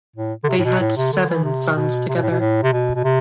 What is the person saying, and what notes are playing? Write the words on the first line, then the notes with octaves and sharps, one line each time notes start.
They had seven sons together.
A2
D3
C3
A2
B2
A2
C3
D3
E3
C3
B2
C3
B2
A2
B2
A2
C3
B2
B2
C3